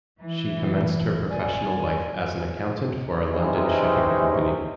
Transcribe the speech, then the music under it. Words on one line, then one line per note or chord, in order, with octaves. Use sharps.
She commenced her professional life as an accountant for a London shipping company.
E3
D5 G#5
C3 E3 G#3 C#4 D#4